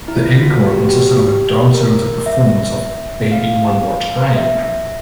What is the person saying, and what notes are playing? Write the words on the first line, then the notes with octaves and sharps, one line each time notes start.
The encore consisted of a dance-oriented performance of "...Baby One More Time".
E4
F4
F4
F#4
G4
F#4
G4
A#4
E5
F5
E5
E5